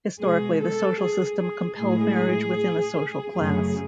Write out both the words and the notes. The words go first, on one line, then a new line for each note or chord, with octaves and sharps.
Historically the social system compelled marriage within a social class.
B2 G#3 G#4
A4
G#4
G#4
A2 G#3 G#4
F#2 C#3 F#3 A3 G#4